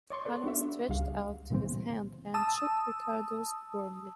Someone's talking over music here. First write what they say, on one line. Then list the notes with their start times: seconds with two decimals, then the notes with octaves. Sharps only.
Hanaud stretched out his hand and shook Ricardo's warmly.
0.10 C#5 D5 C6 C#6
0.25 A4 B4 D5
0.44 B3 D4 F#4 E5
0.89 C#2 G3 G#4 F5
1.50 A#2 C#3 E3 G3 B3 C4
2.34 A5 D#6 E6